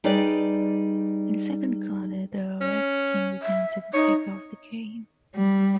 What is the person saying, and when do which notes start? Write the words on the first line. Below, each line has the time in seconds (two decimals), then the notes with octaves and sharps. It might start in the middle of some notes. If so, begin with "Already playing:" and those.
In the second quarter, the Redskins began to take over the game.
0.04 G3 D#4 G#4 B4 D5
2.61 C#4
3.43 E5
3.94 D#4 C#5
5.35 G3